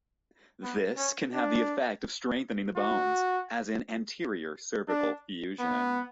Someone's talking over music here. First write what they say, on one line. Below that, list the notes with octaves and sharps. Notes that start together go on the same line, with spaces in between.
This can have the effect of strengthening the bones, as in anterior cervical fusion.
B3
C#4
D4
F#4
D4
B3